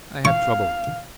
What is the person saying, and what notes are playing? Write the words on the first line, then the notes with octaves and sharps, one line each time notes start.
"I have trouble."
F5 C#6